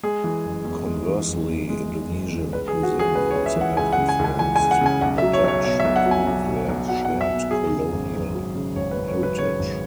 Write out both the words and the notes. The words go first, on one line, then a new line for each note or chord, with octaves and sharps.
Conversely, Indonesian cuisine also had influenced the Dutch through their shared colonial heritage.
G#3 G#4
E3
F#1
E2
G#3
E3
F#1
E2
G#3
E3
F#1
E2
C#2 B4
G#4
E3
F#4
C#2
G#4
C#3 B4
C#5
C#2
E5
E3
F#5
C#2 G#5
F#5
C#3
G#5
C#2 G#5
E3 G#5
G#5
C#2
F#5
C#3 G#5
B1 F#5
E5
F#3
C#5
B1 C#5
B2 C#5
E5
B1
F#5
F#3
G#5
B1
B2
B1
F#3 F#5
F#5
B1
E5
B2
F#3 G#4
C#3
G#1
F#2
F#3
C#3
G#1 C#5
B4
F#2
C#5
F#3
B4
C#3 C#5
G#1